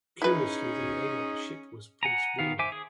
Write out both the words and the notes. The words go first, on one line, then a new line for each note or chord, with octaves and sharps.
Curiously, the name on the ship was "Prins Willim".
C#4 D#4 E4 G#4 B4
F#5 G#5 A#5
D#3 B3 F5
C5 E5 G#5 D6
G#4